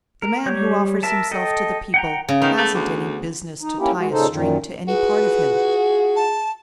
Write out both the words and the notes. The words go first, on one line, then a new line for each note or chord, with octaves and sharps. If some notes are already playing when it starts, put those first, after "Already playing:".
The man who offers himself to the people hasn't any business to tie a string to any part of him.
A#4
G3 C#5 G6
A#4 E5 A5
A4 D#5 G5
F#5 G5 A#5
C#3
D#3 B3
A3
D2
D#4
A#3 C#4 E4 G4
G#3 F#4
A#2 C#3 D#4 A4 C5
F#2 A#2 D#3
F4 F#4 G#4 B4
A5